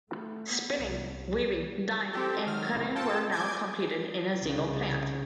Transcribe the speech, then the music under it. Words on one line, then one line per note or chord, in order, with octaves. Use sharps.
Spinning, weaving, dying, and cutting were now completed in a single plant.
A3
B3
C2
C4 G4 A4
D#3 F#3 F6
C2 A2 C3
F4 A4 G5 A5
G#5 D6 G6 G#6
C2 C#3